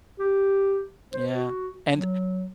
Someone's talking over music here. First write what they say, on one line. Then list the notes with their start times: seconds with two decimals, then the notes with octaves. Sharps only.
Yeah, and,
0.19 G4
1.13 C5
1.32 F#4
1.91 F#3